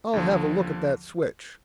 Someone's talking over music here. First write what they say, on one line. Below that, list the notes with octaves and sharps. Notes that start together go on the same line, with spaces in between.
I'll have a look at that switch.
D#2 D3 F3